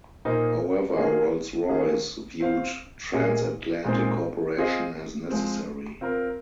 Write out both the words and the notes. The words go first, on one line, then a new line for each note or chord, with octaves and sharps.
However, Rolls-Royce viewed transatlantic cooperation as necessary.
A#2 A#3 D#4 C5 D#5
D#3 A#3 F4 G#4 D#5
D#3 A#3 G#4 F5
C4 F4 C5 F5
A#2 A#3 G#4 D#5
A#2 G#3 C4 D#4 C5
C4 F4 G#4 C5 D#5
F3 G#3 C4
C4 F4 A#4